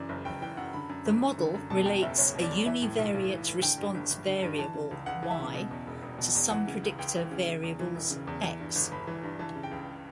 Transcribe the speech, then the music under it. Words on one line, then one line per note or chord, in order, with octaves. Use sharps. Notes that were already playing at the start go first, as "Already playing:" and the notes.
The model relates a univariate response variable, "Y", to some predictor variables, "x".
Already playing: F#2 C#3 E3 D5
F#1
F#1 G5
E3 G5
F#2 F#5
D3 B5
F#2
G1
G1
D3
F#2
B2 A5
E2 G5
F#1 E5
F#1 C#5
B2
D5
E2
E3 E5
A2
B1
B1
E3
A2
D3 G5
G2
G1
G1
D3
G2
E3 A5
C#3
C#2
C#2 F#5
E3
E5
C#3
B2
E2
E1
E1
B2
E2
E3 F#5
C#3
C#2
C#2 G5
E3
C#3
C#3
E2
E3
E1
C#3
E2
E3
G2
G1
G1 B5
E3
G2
E3 A5
C#3
G5
C#2